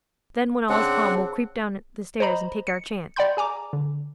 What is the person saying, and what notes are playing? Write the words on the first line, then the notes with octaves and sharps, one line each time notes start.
Then, when all is calm, we'll creep down the stairs and take our chance.'
C#3 C4 D4 F#5
C5 D#5 A#5 B5
C#7
D5 F#5 G5 B5 C6 G6
G#4 G#5 A#5 D6
D3